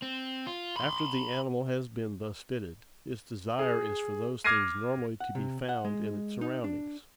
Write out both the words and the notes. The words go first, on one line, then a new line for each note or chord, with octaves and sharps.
After the animal has been thus fitted, its desire is for those things normally to be found in its surroundings.
C4
F4
B5 C6
G#4
D6 F6 G#6 A#6 C7 D#7
F#5
C3
F#5
G#3
D#4
D4